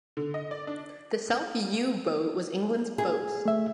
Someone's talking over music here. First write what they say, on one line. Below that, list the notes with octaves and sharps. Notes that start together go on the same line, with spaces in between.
The self-yew bow was England's boast.
D3
D#5
D5
D4
G#4
A3 E5